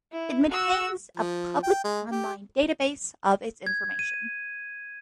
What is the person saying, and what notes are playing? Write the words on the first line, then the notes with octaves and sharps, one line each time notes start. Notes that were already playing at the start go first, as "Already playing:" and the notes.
It maintains a public online database of its information.
E4
F#4 E6
F3
G5
G#3
G4
G#6
D#7